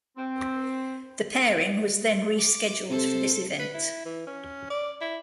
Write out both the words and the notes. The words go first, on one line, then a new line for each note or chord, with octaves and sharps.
The pairing was then rescheduled for this event.
C4
D6
C3 A4 C5
B4
E4
E3
C#4
D5
E4